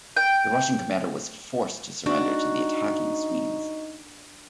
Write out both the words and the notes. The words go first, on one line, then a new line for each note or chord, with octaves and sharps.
The Russian commander was forced to surrender to the attacking Swedes.
G5
D4 D#4 F#4